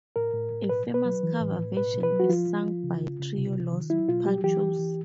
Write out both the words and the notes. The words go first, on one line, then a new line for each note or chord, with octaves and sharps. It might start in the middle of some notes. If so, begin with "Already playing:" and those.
A famous cover version is sung by Trio Los Panchos.
A2 A#4
A2
A2
B2 B4
B2
B4
F#3
E3
A2
A2
B2 B4
B2
B4
F#3
F#4
F3 F4
F3
F3
C#3
C#3
C#3
C3
C3
D#3
F#3 E4
B2 F4
F#3 G4
E3 G4
E3
E3